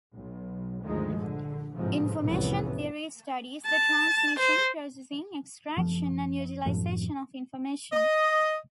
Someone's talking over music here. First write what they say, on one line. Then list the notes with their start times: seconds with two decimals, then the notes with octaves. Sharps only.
Information theory studies the transmission, processing, extraction, and utilization of information.
0.15 B1
0.84 D2 G2 D#3 F3 G#3
1.19 A#1 D3
1.74 A1 G#2 C3 F3
2.21 F1 C2 A2 E3 B3 C#4
3.66 A5
4.39 C5
5.77 F#1 F3
6.65 D1 F#2 A2 F3
7.93 D#5